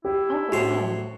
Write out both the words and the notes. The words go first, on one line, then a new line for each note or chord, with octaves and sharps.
Oh, wow.
E4 G4
A2 F#4 C5